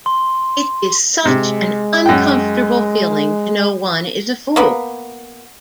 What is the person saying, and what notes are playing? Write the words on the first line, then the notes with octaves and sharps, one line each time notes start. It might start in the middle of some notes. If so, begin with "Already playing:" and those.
It is such an uncomfortable feeling to know one is a fool.
C6
C3 G#3
F#2 G5
A#3 B3